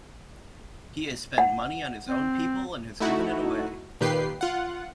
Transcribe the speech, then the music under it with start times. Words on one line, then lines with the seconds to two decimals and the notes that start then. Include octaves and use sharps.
He has spent money on his own people and has given it away.
1.38 F#5
2.07 C4
3.00 A3 D#4 E4 F#4
4.01 A#2 D#3 G4 B4 G5 C7
4.41 F4 F#5